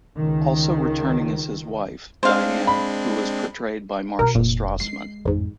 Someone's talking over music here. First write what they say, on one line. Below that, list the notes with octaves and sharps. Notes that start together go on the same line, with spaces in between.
Also returning is his wife, Diane, who is portrayed by Marcia Strassman.
C#2 D#3
G#3 C4 D4 C5 F5
B5
B2 B3 A#4
F1 A#2 D3
G#3 C7
A1 F2 G#2